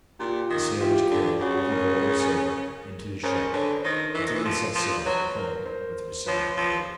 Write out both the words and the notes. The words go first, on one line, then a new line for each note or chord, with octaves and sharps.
The sailors carried all the gold and silver into the ship, and then they set sail for home with Vassili on board.
A#2 F4 G4
D#3
E3 F4 G4
D3
C#3 F#4 G#4
G#4 A#4
G#4 A#4
C#3 A#4 C5
D3 B4 C#5
C#5
D#3 A#4 C5
E3
D#3
E3
F3
F3
F#3 B4 C#5
A#4 C5
A#4 C5
F3 B4 C#5
F3